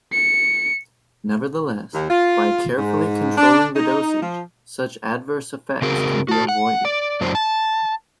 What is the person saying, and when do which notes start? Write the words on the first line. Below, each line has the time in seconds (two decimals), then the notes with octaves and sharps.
Nevertheless, by carefully controlling the dosage, such adverse effects can be avoided.
0.13 C#7
1.94 D#2
2.09 F4
2.78 G#2
3.38 D4
3.76 D#4
4.21 F3
5.82 C#3 C4 F#4 G#4 A#4
6.29 F#4 A5
6.48 F#5
6.85 D5
7.21 F#2 F#3 D4 C5
7.35 A5